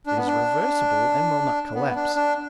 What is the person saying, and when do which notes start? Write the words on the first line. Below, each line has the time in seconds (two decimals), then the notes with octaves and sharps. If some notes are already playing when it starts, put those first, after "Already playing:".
It is reversible and will not collapse.
0.07 D4
0.17 B3
0.27 D4
1.75 B3
1.96 D4
2.16 D4